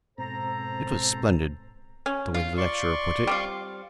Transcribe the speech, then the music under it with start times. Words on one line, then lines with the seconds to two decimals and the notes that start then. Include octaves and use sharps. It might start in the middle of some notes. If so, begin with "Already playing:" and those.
It was splendid, the way the lecturer put it.
0.18 G#2 B2 C4 A4 C5 A#5
2.06 C#4
2.34 F4 F5
2.57 D5 C6 C#6
3.27 G3 C4 F4